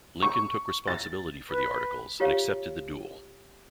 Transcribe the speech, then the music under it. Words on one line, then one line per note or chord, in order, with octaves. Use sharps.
Lincoln took responsibility for the articles and accepted the duel.
C#6
A6
B4
F4 G4 C#5 F5